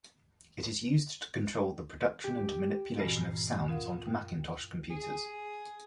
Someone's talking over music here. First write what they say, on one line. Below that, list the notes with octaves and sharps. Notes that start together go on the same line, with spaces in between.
It is used to control the production and manipulation of sounds on Macintosh computers.
G4
G2 A#2 E3 C4 C#4 F#4
C#4 F4 A#4 F5 F#5
F#2
G#4